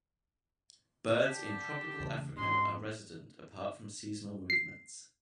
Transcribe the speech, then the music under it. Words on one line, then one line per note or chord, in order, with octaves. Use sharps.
Birds in tropical Africa are resident apart from seasonal movements.
D3 G4 A5
E2 C#3 A3
G#2 B2 G#3 C#4 D4 C6
C7